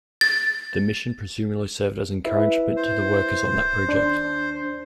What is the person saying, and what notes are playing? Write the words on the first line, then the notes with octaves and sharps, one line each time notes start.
The mission presumably served as encouragement to the workers on that project.
A6
E4 B4 E5
C5
D#2 D4 C6